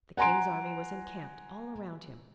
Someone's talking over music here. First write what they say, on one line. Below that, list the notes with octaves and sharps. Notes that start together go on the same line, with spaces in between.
The king's army was encamped all around him.
F#5 G#5 A#5 C6 D7